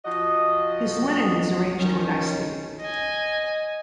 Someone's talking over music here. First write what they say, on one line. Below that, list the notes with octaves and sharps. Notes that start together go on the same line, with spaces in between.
His linen is arranged to a nicety.
F3 F#4 D#5
D#3 C#4
D#5 G#5